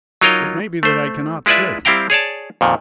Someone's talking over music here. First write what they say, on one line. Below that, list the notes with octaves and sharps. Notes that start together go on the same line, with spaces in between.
It may be that I can not serve you.
F#3 D#4 F4 A#4 C#5 D#5
A3 C5
G#3 E4 F4 B4 D5 E5
G3 C4 E4 F5 G5 A#5
G#4 C#5 D5 A5
F2 A#2 D#3